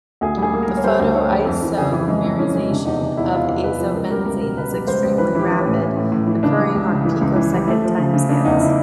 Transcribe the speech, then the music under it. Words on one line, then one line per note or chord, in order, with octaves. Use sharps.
The photo-isomerization of azobenzene is extremely rapid, occurring on picosecond timescales.
D2 G#4
G3
G#4
A#3
A#4
G3
C#5
G3 C5
D2
D3 C#5
G3
F2
E3
C#3 G#4
E3
G#3
F2
E3 C#4
G#3
C3 D4
E2 D#4
C3
E2 E4
E2 F4
E2
E2 B4
F3
C#2 A#4
G3 A#4
C#2 A#4
B2 A#4
B2 B4
G3
C#2 C5
C#2
E3 B4
E3 G4
E3
A2 C#4
A2 C#4
A2
A2
E3
C#3 D4
G3
C#2
C#3
E3
C#2
E3
G3
A3
F3
C#3
C#3
C#3 D4
E2 D#4
C#3 E4